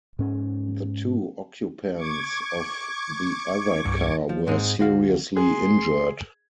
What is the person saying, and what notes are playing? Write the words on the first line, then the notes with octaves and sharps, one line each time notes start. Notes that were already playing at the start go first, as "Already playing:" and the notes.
The two occupants of the other car were seriously injured.
G#2 C#4
C#6 D6 G#6
C2 G2
F3
G#2 G#3 C4 D#4
D2 F#4 F5
G#4 C6